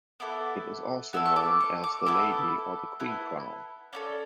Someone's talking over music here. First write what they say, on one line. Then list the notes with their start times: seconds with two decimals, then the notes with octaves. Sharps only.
It is also known as The Lady or The Queen crown.
0.20 B3 E4 A4 D6
1.13 B3 E4 A4 E6
1.25 C#6
1.36 D6
1.60 C#6
1.84 D6
2.06 B3 E4 A4 D6
3.00 B3 E4 A4
3.93 C#4 E4 A4 D5